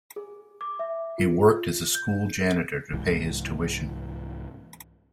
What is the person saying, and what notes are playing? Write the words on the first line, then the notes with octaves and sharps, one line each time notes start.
He worked as a school janitor to pay his tuition.
G#4
D6
E5
F4
G6
C2 G#2 E3